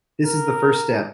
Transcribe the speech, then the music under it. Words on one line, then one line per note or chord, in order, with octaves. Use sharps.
This is the first step.
A#4